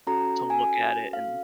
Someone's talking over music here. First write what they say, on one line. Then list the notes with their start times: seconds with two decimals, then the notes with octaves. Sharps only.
to look at it and,
0.07 C#4 F#4 A4 A#5
0.50 G#5
1.13 F5